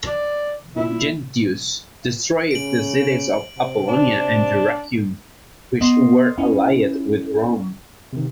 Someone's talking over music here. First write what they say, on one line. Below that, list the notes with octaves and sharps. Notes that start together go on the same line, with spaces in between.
Gentius destroyed the cities of Apollonia and Dyrrhachium, which were allied with Rome.
D5
A#2 E4
C#3 D7 F#7
C3
D4
B3 D#5 C6 C7
C#4 E4
C3 D#3